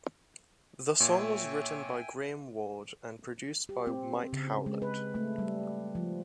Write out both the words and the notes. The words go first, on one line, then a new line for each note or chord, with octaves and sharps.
The song was written by Graham Ward and produced by Mike Howlett.
A#2 C#5 E5 G5 G#5
G4
C4
C#3
G#3
B4
A3
G3
F3